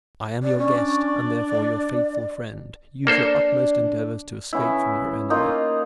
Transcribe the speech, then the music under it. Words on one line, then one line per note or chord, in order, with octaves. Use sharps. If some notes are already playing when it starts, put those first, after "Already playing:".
I am your guest, and therefore your faithful friend; use your utmost endeavours to escape from your enemy.
D5
C#4 D4
D5
A#3 D4 A4 C5
C#3 B3 E4
A#3 D#4 F4 F5